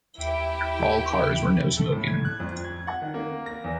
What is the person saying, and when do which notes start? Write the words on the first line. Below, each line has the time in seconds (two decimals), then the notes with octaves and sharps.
All cars were no-smoking.
0.18 D#2 E4 G4 E5 G5
1.77 A4
1.92 A2
2.07 G#6
2.25 F#6
2.40 F2
2.64 G#6
2.87 F#5
3.02 D#3
3.14 A#3
3.46 A#6
3.64 E2